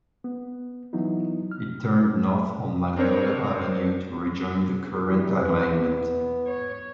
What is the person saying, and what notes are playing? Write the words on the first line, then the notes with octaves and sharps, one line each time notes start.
It turned north on Magnolia Avenue to rejoin the current alignment.
B3
E3 F#3 B3 D#4 E4
F6
C4 D4 A#4 C5 C#5
E3 G3
E2 B3
C#5